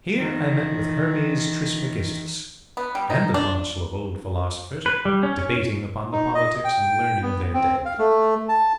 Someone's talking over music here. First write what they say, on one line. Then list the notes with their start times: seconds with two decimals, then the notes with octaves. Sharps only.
Here I met with Hermes Trismegistus, and a parcel of old philosophers debating upon the politics and learning of their days.
0.18 D#3 E3
2.77 B3
2.95 G3
3.10 D#4
3.34 D4
4.86 B4
5.05 G3
5.23 C#4
5.39 C#4
6.12 D#4
6.35 D#5
6.65 G5
7.22 B3
7.54 C4
7.85 F5
7.99 A3
8.49 A5